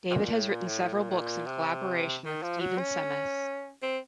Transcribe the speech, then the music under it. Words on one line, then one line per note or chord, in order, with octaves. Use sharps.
David has written several books in collaboration with Stephen Semmes.
C3
A#2
A2
A#2
A2
A#2
A2
A#2
C3
D#3
F3
F#3
C#4
C4